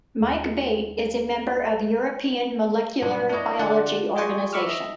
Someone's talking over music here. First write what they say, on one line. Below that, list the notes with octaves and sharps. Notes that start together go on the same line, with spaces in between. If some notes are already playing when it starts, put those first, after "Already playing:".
Mike Bate is a member of European Molecular Biology Organization.
D#2 G#3
G2 A#2 F#3 D4
D4 E4 A#4 C#5 D#5
D3 D4 F4 D5 F#5
F4 G#4 D5 G5 G#5 C#6
B5 C#6 D6 E6 F6
D#5 E5